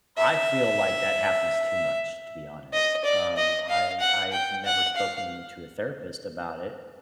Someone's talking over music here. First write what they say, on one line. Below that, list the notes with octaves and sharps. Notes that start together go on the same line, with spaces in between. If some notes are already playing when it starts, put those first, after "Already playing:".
I feel like that happens too much, to be honest, um, I I've never spoken to a therapist about it
E5
D#5
D5
D#5
F5
F#5
G5
F#5
F5